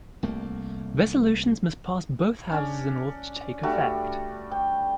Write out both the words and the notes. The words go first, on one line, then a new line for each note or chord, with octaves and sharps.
Resolutions must pass both houses in order to take effect.
C2 A3 A#3
C#4 D4
G3 A3 D4 F#4
G5